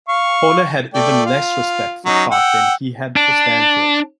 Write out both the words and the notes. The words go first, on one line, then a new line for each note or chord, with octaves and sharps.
Horner had even less respect for Clark than he had for Stanfield.
F5 C#6
A3 D5 G5
F4
F#3 C#4 D#4
F#5 G5 E6
D4